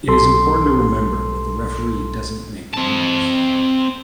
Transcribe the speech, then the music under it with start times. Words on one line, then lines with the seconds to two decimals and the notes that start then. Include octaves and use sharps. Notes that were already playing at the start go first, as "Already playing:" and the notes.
It is important to remember that the referee doesn't make the rules.
0.08 B1 A4 C6
2.74 C4 A5